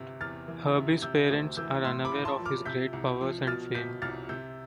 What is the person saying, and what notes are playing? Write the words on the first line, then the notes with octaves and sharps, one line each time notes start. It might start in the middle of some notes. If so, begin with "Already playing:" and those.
Herbie's parents are unaware of his great powers and fame.
Already playing: G1 C3
E2 F6 A6
E3
C3
C3 E6 G6
D2
E3 E6 G6
A2 C6 E6
B5 D6
A1
A5 C6
F3
D6 F6
C3 G6 B6
C2
F3
B2 F6 A6
B2 G6 B6
C2 F6 A6
C3 E6 G6